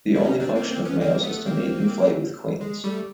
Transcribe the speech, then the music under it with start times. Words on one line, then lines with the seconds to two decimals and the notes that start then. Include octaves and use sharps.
The only function of males is to mate in flight with queens.
0.15 E4
0.25 C#4 D#4
0.40 C4 D4
0.55 A#3 C4
0.70 A#3 C4
0.85 B3 C#4
1.01 A#3 C4
1.23 A3 B3
1.46 A#3 C4
2.61 G#3
2.84 G3 A3